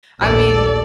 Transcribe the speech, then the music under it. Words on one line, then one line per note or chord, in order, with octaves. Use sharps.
I mean y
A#1 D#2 A2 A4 D5